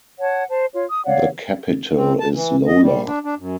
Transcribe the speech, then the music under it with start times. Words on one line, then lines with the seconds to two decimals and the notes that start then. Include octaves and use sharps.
The capital is Lola.
0.21 C#5 F#5 A5
0.49 C5 A5
0.75 F4 C#5
0.91 D#6
1.05 C#5 D5 F5 F#5
1.96 C4
2.20 A5
2.33 E3
2.67 D#5
2.82 G3
3.06 D4
3.25 D4
3.38 F#2